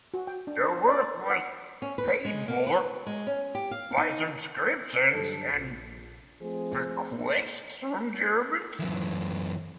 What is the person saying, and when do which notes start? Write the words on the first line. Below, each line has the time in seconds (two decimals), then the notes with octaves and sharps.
The work was paid for "by subscriptions and bequests from Germans".
0.14 F#4
0.27 G5
0.47 D4
0.64 C5
0.88 D5
1.30 F#5
1.82 C#4
1.98 B4
2.25 G#3
2.48 A#3
2.67 B4
3.07 G#3
3.27 C#4
3.55 G4
3.71 F5
3.97 D#4
5.13 G2 D3 F#3 A4
5.51 A#1
6.41 F3 A3 C4 G#4 C5
8.79 F#2 E3